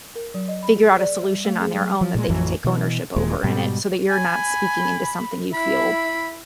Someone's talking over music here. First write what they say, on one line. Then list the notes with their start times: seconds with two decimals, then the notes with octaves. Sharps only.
figure out a solution on their own that they can take ownership over in it, so that you're not speaking into something you feel
0.15 A#4
0.34 F#3
0.48 D#5
0.63 B5
0.77 G#4
0.99 D5
1.22 G3
1.45 A3
1.61 G#4
1.75 F#3
2.01 F3
2.15 A#2 G3 G#3
2.29 A1 F2 E3 F#3
2.64 B2 E3
3.16 D#1 D#2 A#2 G#3
3.44 G#2 B2 G3
4.10 G#5 B5
5.54 E4 B5